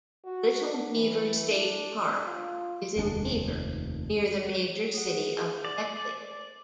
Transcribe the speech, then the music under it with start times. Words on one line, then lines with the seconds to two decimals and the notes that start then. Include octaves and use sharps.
Little Beaver State Park is in Beaver, near the major city of Beckley.
0.25 F#4
0.95 E3
1.50 D4
2.27 F4
2.96 F1 D#2 D4
4.94 G#4 F#5
5.65 D5